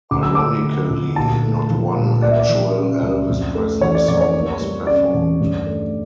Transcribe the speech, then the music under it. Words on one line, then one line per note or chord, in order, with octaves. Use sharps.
Ironically, not one actual Elvis Presley song was performed.
D2 D6
E6
A3 D6
D3
D2
A#2 A5
A3
F3
A#2
A#3 D5
E5
D5
F3
C#3
C#2
F2
A3
E3 C#5
D5
F2 D5
C#5
A#3
G3
C#3 D5
E2
G2
A3